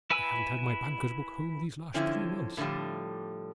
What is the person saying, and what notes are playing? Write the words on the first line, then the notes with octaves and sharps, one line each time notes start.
I haven't had my banker's book home these last three months.
E4 B4 G#5 B5 E6
D3 F3 C4 C#4 E4
A2 D3 D#3 F3 G3